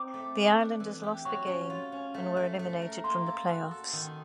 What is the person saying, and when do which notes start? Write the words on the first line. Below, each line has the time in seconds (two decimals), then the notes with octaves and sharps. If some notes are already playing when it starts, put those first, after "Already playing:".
The Islanders lost the game and were eliminated from the playoffs.
Already playing: C4 D#4 D6
0.14 A3
0.36 A3
0.58 D4
0.80 E3
1.03 G4
1.25 F#3 C#6
1.47 C#4
1.70 F4
1.92 C#4
2.14 A3
2.37 A3
2.59 A3
2.82 A#4
3.04 A#3 C6
3.26 A4
3.49 F#4
3.71 A4
3.93 D#3